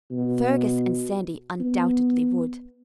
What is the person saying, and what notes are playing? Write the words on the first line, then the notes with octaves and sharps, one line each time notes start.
Fergus and Sandy undoubtedly would.
B2
B3